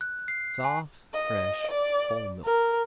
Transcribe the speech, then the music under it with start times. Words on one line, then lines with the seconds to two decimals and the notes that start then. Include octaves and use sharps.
Soft, fresh, whole milk.
0.01 F#6
0.28 C7
0.64 G#5
1.14 D#5
1.71 D5
2.44 A#4